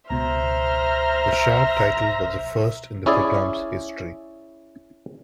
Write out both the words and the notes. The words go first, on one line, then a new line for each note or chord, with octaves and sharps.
The shared title was the first in the program's history.
C#2 B2 C5 E5 A#5 F6
C#4 E4 G#4 D5